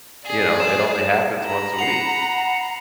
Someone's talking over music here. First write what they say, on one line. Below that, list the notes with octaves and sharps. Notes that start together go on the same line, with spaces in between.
you know, it only happens once a week.
G#4 D5
E7
A#5 B5
F#5 C7 F7